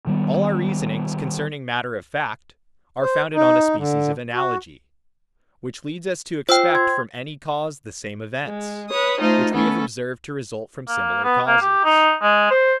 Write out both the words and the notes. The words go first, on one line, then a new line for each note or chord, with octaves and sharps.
All our reasonings concerning matter of fact are founded on a species of Analogy, which leads us to expect from any cause the same events, which we have observed to result from similar causes.
D#3 G3 B3
C5
D#4
D3
F#4
F4 C5 G5 E6
C6 G#6
G#3
B4 C#5 D#6
A3 D#4 F4 C5
A3 B3 C#4 A4
A#3
B3
A#3
G4
D#4
G#3
C5